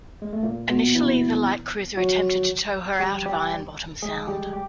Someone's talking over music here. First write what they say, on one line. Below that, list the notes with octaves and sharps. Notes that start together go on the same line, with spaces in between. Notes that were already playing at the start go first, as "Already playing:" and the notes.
Initially, the light cruiser attempted to tow her out of Ironbottom Sound.
G#3
A3
A#2 A#3
B2 B3
E3 E4
F#3 F#4
G3 G4
G3 G4
G#3 G#4
G3 G4
G4